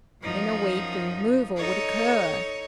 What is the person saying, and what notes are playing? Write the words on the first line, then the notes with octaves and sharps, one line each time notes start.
In a week the removal would occur.
F#2 F3 D#4
D#4 A4 C#5